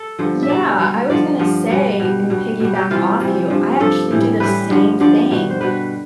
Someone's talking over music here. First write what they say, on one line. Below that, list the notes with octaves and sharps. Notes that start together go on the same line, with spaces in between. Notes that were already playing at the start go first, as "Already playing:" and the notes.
Yeah, I was gonna say, and piggyback off you, I actually do the same thing.
Already playing: A4
G2 D3 F3
E5
B2 G3 D5
B2 G3
G2 D3 F3 D5
G2 D3 F3
B2 G3
B2 G3
B2 G3
B2 G3
G4
C3 E3 G3 F4
C3 E3 G3
G2 F3
G2 F3 A4
A2 E3 G3
A2 E3 G3 B4
G2 D3 F3
G2 D3 F3 D5
B2 G3
C5
B2 G3 B4